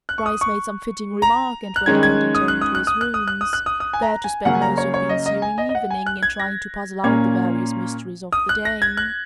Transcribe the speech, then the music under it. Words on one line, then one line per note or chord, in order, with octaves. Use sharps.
Bryce made some fitting remark and went out and home to his rooms--there to spend most of the ensuing evening in trying to puzzle out the various mysteries of the day.
F#6
C#6
D#6
C#6
A#5
F#6
D#3 G#3 C#4 G#6
G#6
D#6
F#6
D#6
F#6
D#6
F#6
D#6
F#6
D#6
F#6
D#6
D#6
G#5
A#5
G#5
C#3 F#3 A#3 C#4 F#5
G#5
A#5
C#5
C#5
D#5
D#5
G#5
D#5
D#5
F#5
G#5
F#6
G#6
A#6
A#2 A#3 C#4 G#6
D#6
F#6
A#6
G#6
F#6